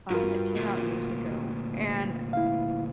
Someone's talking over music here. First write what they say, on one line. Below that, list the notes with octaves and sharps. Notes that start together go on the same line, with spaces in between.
um, that came out years ago, and,
G2 F4 F#4 A#4
D2 A#2
E4 F5